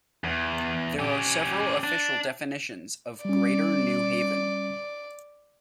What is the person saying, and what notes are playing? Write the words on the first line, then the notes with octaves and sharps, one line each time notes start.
There are several official definitions of Greater New Haven.
E2
C#4 G4
D4
G3 C#4 D5